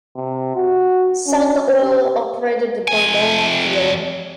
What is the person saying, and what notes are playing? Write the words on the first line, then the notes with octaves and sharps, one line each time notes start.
Sun Oil operated the Balmoral field.
C3
F#4
C#4
G4
F2 G#5